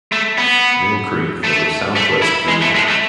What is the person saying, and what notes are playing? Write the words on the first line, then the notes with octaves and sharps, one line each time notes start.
Mill Creek flows southwest through the town.
A3
B3
A3
A3
E4
G#3
A3
G#3
A3